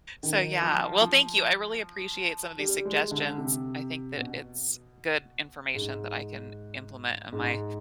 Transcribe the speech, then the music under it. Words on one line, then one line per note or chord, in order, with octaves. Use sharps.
So, yeah. Well, thank you. I really appreciate some of these suggestions. I think that it's good information that I can implement in my
D#3
F3
F3
G3
G#3
D3
C3
B2
G#2
G#2